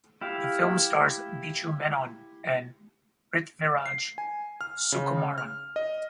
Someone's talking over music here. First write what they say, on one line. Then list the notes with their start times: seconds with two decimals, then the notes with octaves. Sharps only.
The film stars Biju Menon and Prithviraj Sukumaran.
0.21 E4 G4 F5
3.86 C7
4.18 G#5
4.61 F6
4.92 C#3
5.38 F6
5.76 D#5